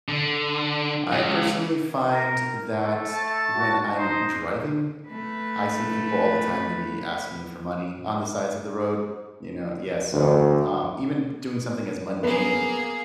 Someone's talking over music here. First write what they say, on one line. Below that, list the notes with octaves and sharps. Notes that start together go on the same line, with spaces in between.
I personally find that when I'm driving, m I see people all the time maybe asking for money on the sides of the road, you know? Yeah, so, um, even doing something as mundane
D3
C#2
A#4
A3
A5
F#4
D#4 C5
A3 B4
D2
A#3 B3 G#4